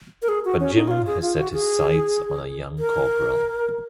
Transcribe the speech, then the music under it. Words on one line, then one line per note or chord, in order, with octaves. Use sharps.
But Jim has set his sights on a young corporal.
A#4
G#4
F#4
C#4
D#4
F#4
F4
G#4
F4
F#4
G#4
A#4